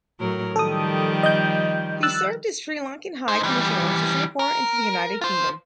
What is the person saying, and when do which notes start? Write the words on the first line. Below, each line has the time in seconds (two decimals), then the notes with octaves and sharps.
He served as Sri Lankan High Commissioner to Singapore and to the United Kingdom.
0.20 A2 F#3 A#4
0.56 D#3 F3 G3 A4 D#6
1.23 D#5 G6
2.03 E6 F#6 A6
3.28 D#4 C5
3.43 E3 G3
4.39 A#4
5.21 F4 C5